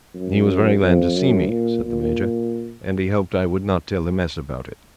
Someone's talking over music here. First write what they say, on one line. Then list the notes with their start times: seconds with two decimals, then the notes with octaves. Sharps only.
He was very glad to see me," said the Major, "and he hoped I would not tell the Mess about it.
0.14 F#2
0.82 F2
1.16 F#2
1.50 A#2
1.84 A#2